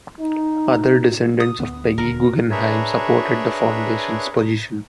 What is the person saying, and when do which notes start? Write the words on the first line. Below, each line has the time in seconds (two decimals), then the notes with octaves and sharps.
Other descendants of Peggy Guggenheim supported the foundation's position.
0.20 D#4
1.40 D#6
1.59 D2 B3
1.98 E1 D#2 D3 A#4
2.51 D4 G#4 A#4 B4 C#5 E5